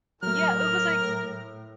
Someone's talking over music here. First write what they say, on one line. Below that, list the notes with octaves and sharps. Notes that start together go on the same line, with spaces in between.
Yeah, it was like
A2 F#3 A3 A#4 F6